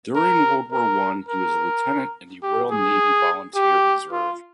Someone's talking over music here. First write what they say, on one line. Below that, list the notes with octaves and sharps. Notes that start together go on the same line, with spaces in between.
During World War One he was a lieutenant in the Royal Navy Volunteer Reserve.
A#4
A#4
A#4
G4
G#4
G4
F4